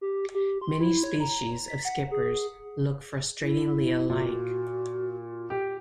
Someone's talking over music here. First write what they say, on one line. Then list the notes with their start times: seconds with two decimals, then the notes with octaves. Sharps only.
Many species of skippers look frustratingly alike.
0.01 G4
0.34 G4
0.61 C6
0.80 E4
1.03 C#5
1.20 A#5
1.68 B6
1.85 F#5
2.11 G#4
3.42 E4
4.10 A#2 F#4
5.50 G4